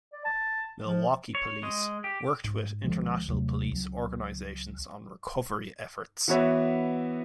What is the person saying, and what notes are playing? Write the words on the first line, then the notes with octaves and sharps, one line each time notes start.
Milwaukee police worked with international police organizations on recovery efforts.
D5
A5
F3
C#5
G#3
G4
G#2
C#2 D3 F3 G#3
D#2 C3 F#3 A3
C#2 F#3
E3 B3 F#4 B4 C#5 E5